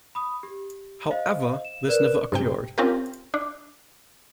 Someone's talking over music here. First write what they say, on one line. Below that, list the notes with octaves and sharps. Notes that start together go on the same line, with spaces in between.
However, this never occurred.
B5 D#6
G4
C5 D#5 F5
E7
A#4 B4 D5 F#6 E7
G2 C3 G5
C4 C#4 F4 G4 A#4
D4